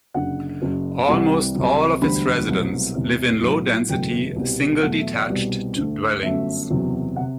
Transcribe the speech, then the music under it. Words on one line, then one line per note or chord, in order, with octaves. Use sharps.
Almost all of its residents live in low-density, single detached dwellings.
F#1 F#2 D3 F#5
F#1 F#2 F#3
C2 C3 E3 G3 F#5
C2 C3 F#3
E1 D2 D3 G3 B5
C2 B2 F#3 A3
E1 E2 C3
B1 A2 F#3
F#1 E2 B2 F#3 A3 G5
C2 B2 G3
E2 B2 F#3 A3 F#5
E5
D5
C2 B2 G3
D2 D3 A3
G1 F#2 F#3 A3 E5
F#1 E2 C3 F#3
F#5
C3